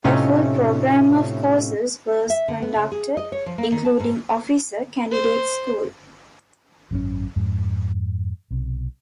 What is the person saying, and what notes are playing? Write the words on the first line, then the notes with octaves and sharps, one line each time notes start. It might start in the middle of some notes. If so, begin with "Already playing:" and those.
A full program of courses was conducted, including Officer Candidate School.
A2 C3 A3 C#4 D#4 F4
E5
D3
B3
C#3
G#4
D#5
C#5
F3
A#3
D#3
A5
G#2
C5
G#1 F#2 C3 C#4
F2 G#2
B1 C3